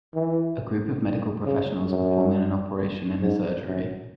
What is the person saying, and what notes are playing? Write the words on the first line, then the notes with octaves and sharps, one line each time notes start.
A group of medical professionals performing an operation in a surgery.
E3
C#3
F#2
G#2
F#2